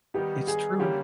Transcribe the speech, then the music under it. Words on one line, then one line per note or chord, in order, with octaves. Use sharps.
It's true.
D#3 G3 B3 D#4 G4
G#4
D3 G3 A#3 C#4 G4